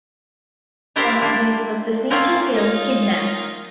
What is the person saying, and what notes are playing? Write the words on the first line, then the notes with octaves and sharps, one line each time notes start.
One of these was the feature film "Kidnapped".
D4 E4 G4 A#4 C5 D5
A#3 D4
A#3 C4 C#4 F4 F#4 A#4
A#3 C#4 D#4 F4